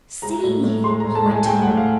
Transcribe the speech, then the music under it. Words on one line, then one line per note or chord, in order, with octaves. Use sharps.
"See!" he went on.
G#3 A#5
A2
A2
G#3 C6
A#5
A2
A5
A2
G#5
G#5
G#3 G5
F#5
A2
F5